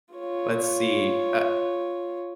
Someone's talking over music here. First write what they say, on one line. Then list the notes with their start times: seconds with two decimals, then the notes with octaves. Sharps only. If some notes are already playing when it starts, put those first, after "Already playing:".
Let's see, uh
0.15 F4 C#5